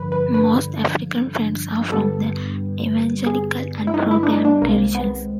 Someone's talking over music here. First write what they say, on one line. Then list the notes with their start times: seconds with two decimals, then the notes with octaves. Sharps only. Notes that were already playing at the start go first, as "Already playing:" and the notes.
Most African Friends are from the evangelical and programmed traditions.
Already playing: G2 D3 F3 B4
0.12 B4
0.34 B4
1.92 G2 D3 G3 B3 A4
3.26 G#4
3.87 E4
3.94 D#4
4.11 E4
4.23 D4
4.27 D#4
4.45 D4
4.62 C2 C3 D#3 G#3 A#3 C4
4.95 B3